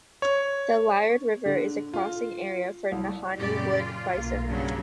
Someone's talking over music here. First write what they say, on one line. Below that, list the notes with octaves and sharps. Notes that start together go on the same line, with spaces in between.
The Liard River is a crossing area for Nahanni wood bison.
C#5
D3
F4
C2
F#2 A#2 C#3 G4 D5
F4
B1 A#3
G2 C#3 F#3